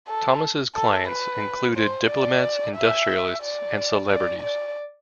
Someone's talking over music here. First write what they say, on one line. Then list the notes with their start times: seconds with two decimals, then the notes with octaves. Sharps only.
Thomas' clients included diplomats, industrialists, and celebrities.
0.08 A4
0.76 A4
1.09 B4
1.76 C5
2.10 D5
2.76 E5
3.43 D5
4.09 D5
4.43 D5